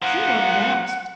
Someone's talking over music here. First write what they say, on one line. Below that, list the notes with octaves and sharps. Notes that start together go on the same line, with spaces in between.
She wasn't asked.
F3 A#3 F#5